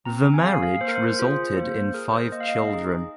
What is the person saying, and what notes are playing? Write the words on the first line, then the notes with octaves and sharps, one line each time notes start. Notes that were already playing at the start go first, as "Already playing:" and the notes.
The marriage resulted in five children.
C4 A#5
G#5
G#4 F5
F5
A#3 C5
A#4
C5
F4 G#4 C5
A#3 C5
G#4 A#4
C5
A#3 D#5
F5
D#5
D#4 G#4